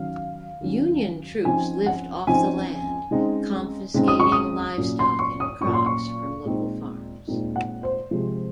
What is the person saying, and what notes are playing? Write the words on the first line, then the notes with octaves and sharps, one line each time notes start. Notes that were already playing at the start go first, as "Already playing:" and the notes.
Union troops lived off the land, confiscating livestock and crops from local farms.
Already playing: D#3 F#3 C#4 F5
D#3 F#3 C#4
C#3 F3 C4 D#4 G#5
F#5
C#3 F3 C4 D#4 G#5
C#3 G#3 C4 D#4
C#3 G#3 C4 D#4
D#6
C#6
D#6
A#2 F#3 C#4
C6
C#6
D#6
A#2 F#3 C#4 C#6
C6
C#6
A#2 G#3 C4 D#4
A#2 G#3 C4 D#4
F#5
C5
C3 F3 G#3